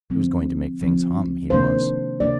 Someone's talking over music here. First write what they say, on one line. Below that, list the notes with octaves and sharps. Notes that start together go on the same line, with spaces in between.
He was going to make things hum, he was.
D3 F3 C4
D3 F3 C4
C3 D#3 A#3 D4 C5
C3 D#3 A#3 D4 D5